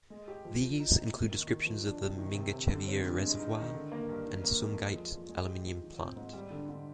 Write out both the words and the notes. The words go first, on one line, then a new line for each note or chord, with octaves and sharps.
These include descriptions of the Mingachevir Reservoir and Sumgait Aluminum Plant.
G#3
G4
F3
F3
D#4
C3
A#3
D#3
D#3
F3
D4
C3
D#3
C3
C3
D3
C4
G2
G#3
D#4
D#3
D3
A#3
G2
D#3
A#3
F2
G#3
F3
F3
G#3
G4
F3
D#3
C4
G#2
G3
D3
D3